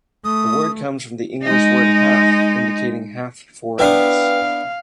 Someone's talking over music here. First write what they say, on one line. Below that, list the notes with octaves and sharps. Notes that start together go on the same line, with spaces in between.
The word comes from the English word "half" indicating half foreign-ness.
A3 D#6
G#3 D#4
B3 D4 E4 B4 F5 G5